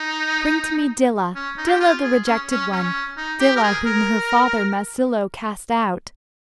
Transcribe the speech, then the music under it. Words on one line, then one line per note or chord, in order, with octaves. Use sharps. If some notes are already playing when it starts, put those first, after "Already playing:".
Bring to me Dilah, Dilah the rejected one, Dilah, whom her father Masilo cast out!
Already playing: D#4
C#4
D#4
G4
F4
G#4
C#4
C#4
C#4
D#4
G4
A#4
G#4
A#4